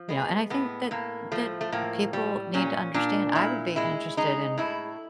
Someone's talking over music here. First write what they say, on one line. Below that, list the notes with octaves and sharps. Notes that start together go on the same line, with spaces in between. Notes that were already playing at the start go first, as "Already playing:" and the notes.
you know and I think that that people need to understand, I would be interested in
Already playing: F3
G#3 B3
A2 B3
A2 A#3
F3 A3
A3
A2 A#3
G3
A#2 C#4
A#2 D4
A#2 E4
G#3 E4
G#3 D#4
A2 E4